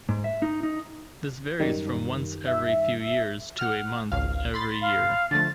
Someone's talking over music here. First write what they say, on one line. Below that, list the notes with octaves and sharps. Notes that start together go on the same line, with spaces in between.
This varies from once every few years to a month every year.
G#2
E5
D#4
D#4
F#2 D#3 G3
E5
F#5 F6
G#1 C#2 F5
B5 C6 A6
F5
D3 F3 A3 A6